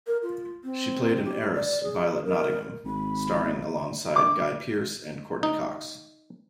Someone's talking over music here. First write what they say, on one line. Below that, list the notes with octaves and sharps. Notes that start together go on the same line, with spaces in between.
She played an heiress, Violet Nottingham, starring alongside Guy Pearce and Courteney Cox.
A#4
F4
C4
G4
D5
G#4
A#4
G#1 B5
D6
D#4